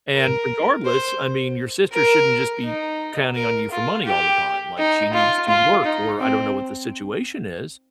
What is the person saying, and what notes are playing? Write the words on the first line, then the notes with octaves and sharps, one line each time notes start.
And regardless, I mean, your sister shouldn't just be counting on you for money all the time, like, she needs to work, or I don't know what the situation is,
A#4
C5
A#4
D#4
A#4
F4
G4
D#4
F4
F4
D#4
C4